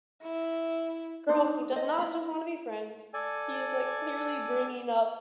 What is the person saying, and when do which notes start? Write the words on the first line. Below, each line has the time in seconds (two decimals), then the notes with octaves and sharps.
"Girl, he does not just wanna be friends. He is, like, clearly bringing up
0.22 E4
1.29 D4 D#4 C5
1.72 C5 D#5
1.99 E4 B5
3.14 A4 D5 G#5